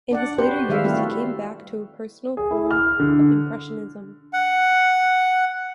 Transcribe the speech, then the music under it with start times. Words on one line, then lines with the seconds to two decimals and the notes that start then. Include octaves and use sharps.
In his later years, he came back to a personal form of impressionism.
0.11 D4 D5 F#5
0.38 C4 F#4 G4 B4 C5
0.69 D#3 G3 E5 F5
0.84 A3 A#3 C4 E4 F#4 A4
2.37 G#4
2.51 E4
2.71 F6
3.00 D3
4.33 F#5